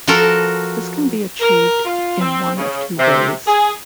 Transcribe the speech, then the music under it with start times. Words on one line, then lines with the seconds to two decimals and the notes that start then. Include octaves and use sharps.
This can be achieved in one of two ways.
0.07 F3 F#4 A4 A#4 A5
1.41 A#4
1.85 F4
2.20 C4
2.57 C#3
2.98 C3
3.47 G#4